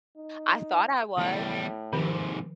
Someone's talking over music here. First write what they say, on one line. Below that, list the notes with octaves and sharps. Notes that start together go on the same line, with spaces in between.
I thought I was.
D#4
E2 A2 G3
G#2 C3 D#3 F3